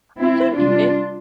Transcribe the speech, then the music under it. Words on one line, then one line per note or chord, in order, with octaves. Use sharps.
I think it
C4 E4
C3 G3 D4 F4